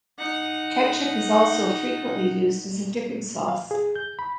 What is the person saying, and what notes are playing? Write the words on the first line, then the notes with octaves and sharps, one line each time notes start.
Ketchup is also frequently used as a dipping sauce.
D#4 F#5
F5
G#4
G6
B5